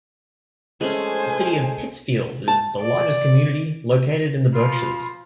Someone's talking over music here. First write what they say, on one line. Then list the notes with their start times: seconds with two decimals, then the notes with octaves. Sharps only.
The city of Pittsfield is the largest community located in the Berkshires.
0.81 G#3 A3 C#4 C5 G#5
2.48 A5
2.79 D5
4.53 F3 F4 B5